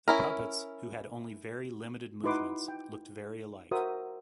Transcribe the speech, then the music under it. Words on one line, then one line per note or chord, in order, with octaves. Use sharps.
The puppets, who had only very limited movements, looked very alike.
C#4 E4 A#4
D#4 E4 F#4 B4 C6 D6
G5
F#4 A#4 C5 E5 D#6